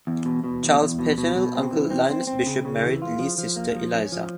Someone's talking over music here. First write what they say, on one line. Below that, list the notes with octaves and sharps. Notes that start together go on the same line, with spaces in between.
Charles' paternal uncle Linus Bishop married Lee's sister Eliza.
E2
B2
B2
E2
E2
B2
B2
B2
C4
E3
C4
C4
C4
C#3
C#3
E3
F4
F3
F3
A#3
F3
C#4
F3